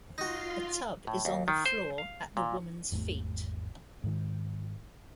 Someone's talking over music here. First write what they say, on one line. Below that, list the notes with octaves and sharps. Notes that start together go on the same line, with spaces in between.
A tub is on the floor at the woman's feet.
D#4 F4 F#4 C6
A2
D#2
D#3
C5
F5
A#2
G#1 E2 G3 A3
G#2 D#3